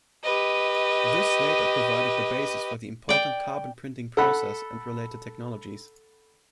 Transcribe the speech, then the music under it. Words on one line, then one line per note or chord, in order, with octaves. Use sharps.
This later provided the basis for the important carbon printing process and related technologies.
G4 B4 D#5
D5 G5
A4 F#5 B5